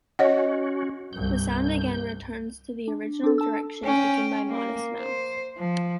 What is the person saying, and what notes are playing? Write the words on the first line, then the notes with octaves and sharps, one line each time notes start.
The sound again returns to the original direction taken by “Modest Mouse”.
C#4 F#4 C#5 D#5 F#5
C2 G2 G6
D4
D4 A4
A5 E6
C#4 G5
A#3
C5
F3